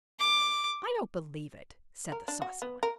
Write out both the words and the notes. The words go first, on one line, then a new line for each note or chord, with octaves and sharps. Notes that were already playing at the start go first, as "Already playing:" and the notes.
"I don't believe it," said the saucy one.
D6
A#4
D4
F#4
B3
A#4